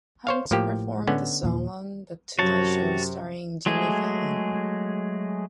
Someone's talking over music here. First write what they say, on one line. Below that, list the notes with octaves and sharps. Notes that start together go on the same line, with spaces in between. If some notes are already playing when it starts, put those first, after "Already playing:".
Hunt performed the song on "The Tonight Show Starring Jimmy Fallon".
C5 C#5 F5
A2 F3 A#3 G4
D3 B3 C#4
D#2 A#2 F3
F#2 C3 F#3 F#4 C#5 A5
F#3 G#3 A3 G#4